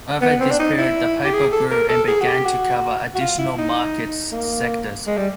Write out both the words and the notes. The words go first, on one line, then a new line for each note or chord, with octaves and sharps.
Over this period the paper grew and began to cover additional market sectors.
B3
C4
D4
D#4
E4
G4
G#4
A4
A#4
A4
G#4
F#4
G4
F#4
F#4
F4
E4
D#4
A#3
G#3
G3